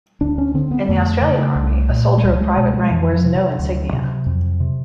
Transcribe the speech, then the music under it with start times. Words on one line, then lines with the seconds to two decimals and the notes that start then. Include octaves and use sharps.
In the Australian Army, a soldier of private rank wears no insignia.
0.21 D2 D4
0.38 C#4
0.54 D3 C4
0.71 B3
0.89 F2 A3
1.22 C#3
1.56 C2
1.89 A#2
2.18 G#3
2.24 C#2 G3
2.36 G3
2.41 G#3
2.57 B2 G#3
2.74 G#3
2.91 F2 E3
3.13 F3
3.25 C3
3.36 F#3
3.59 D2
3.93 C3
4.26 F2
4.60 C3